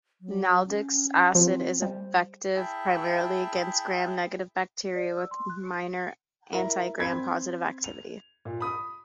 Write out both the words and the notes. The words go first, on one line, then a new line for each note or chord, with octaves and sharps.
Nalidixic acid is effective primarily against gram-negative bacteria, with minor anti-gram-positive activity.
F#3
C#4
F3 C4
G3 C5
E4 G#4 E5 G5 A5
D5
E6
C6
F#6
E4 A#4
C4 B5 G#6
F7
A#2
B5 D#6